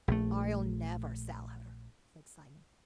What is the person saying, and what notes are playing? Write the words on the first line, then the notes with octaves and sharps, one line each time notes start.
"I'll never sell her," said Simon.
A#1 A3